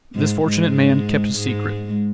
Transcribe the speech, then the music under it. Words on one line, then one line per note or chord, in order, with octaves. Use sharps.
This fortunate man kept his secret.
G#2 G#3
G#2 G#3
G#2 G#3